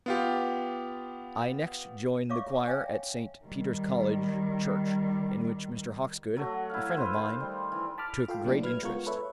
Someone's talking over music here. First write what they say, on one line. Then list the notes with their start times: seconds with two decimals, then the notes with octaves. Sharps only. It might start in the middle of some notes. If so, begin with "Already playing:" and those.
I next joined the choir at St. Peter's College Church, in which Mr. Hawkesgood, a friend of mine, took great interest.
0.06 B3 F4 G4
2.30 C#5 D5 E5 F5 C#6 D6
2.67 C#5 E5 F5 G5 G#5
3.45 D#3 G3
6.37 F#3 A3 F#4
6.70 E4 F5
6.96 B4 C5 F5
7.13 D#3 C5
7.40 G3
7.72 E3
7.98 A5 B5 D6 F6
8.28 F4 A4 F5 G5
8.45 D3 F#3 A3 A#3 D4 E4
8.63 B4 F6 G#6
8.83 G#3 B3 F4 A#4 C#6
9.06 A4 B4 C#5 E5